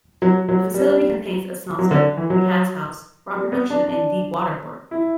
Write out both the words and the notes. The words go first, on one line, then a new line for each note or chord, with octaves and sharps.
The facility contains a smelter, cast house, rod production and deep-water port.
F#3
F#3
G3
F#3
D3
E3
F#3
G3
B3
D4
D4
E4